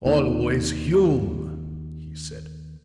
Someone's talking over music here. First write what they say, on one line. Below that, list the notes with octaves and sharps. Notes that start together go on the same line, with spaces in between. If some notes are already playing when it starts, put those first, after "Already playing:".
"Always Hume," he said.
D#2 D#3 C4